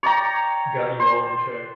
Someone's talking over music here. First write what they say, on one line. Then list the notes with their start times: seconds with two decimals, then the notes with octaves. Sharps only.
Got You All in Check.
0.03 C#5 D5 G5 A#5
1.00 C5